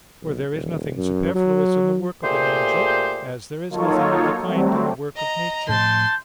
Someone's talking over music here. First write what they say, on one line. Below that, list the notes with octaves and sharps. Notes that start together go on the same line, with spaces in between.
For there is nothing superfluous in the work of an angel, as there is nothing of the kind in the work of nature.
B1
D#1
F#2
F#3
A#2 A3 G4 G#4 C5
F#3 A#3 D#4 F4 A4 C#5
F#3 G3 A3 C4
D#5 A#5
A2 F3 A5 C6 G6